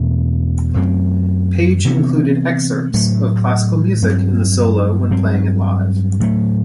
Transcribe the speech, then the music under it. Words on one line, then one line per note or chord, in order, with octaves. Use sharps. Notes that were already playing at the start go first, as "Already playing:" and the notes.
Page included excerpts of classical music in the solo when playing it live.
Already playing: E2 B2 A3 C4
F#2 F#3 A3 C4
C3 E3 B3
A2 F#3 A3
G2 F#3 C4
G2 F#3 C4
A2 F#3 A3